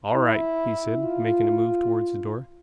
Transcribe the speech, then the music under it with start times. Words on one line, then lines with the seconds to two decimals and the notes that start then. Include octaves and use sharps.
"All right," he said, making a move towards the door.
0.15 E4
1.03 F4